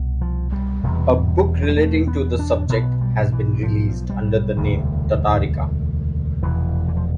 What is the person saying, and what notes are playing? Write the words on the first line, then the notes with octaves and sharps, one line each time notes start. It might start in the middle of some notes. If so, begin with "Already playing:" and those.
A book relating to the subject has been released under the name "Tatarica".
Already playing: C2 B2
F3
G3
E1 E2 C3
F3
G3
A3
B3
D4
B1 B2 B3
G3
E3
F3
G3
E1 D2 C3
F1 E2 B2 E3
E3
F3